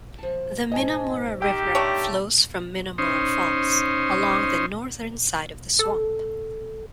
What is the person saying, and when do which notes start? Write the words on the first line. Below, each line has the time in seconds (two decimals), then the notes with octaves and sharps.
The Minnamurra River flows from Minnamurra Falls along the northern side of the swamp.
0.19 F3 A5
0.72 F2 G#2 D#5 G#5 A5
1.42 D#3 G4 D#5 G5 E6 G6
1.75 D3 A3 C#5
2.98 C#4 D#4 C5
5.79 A4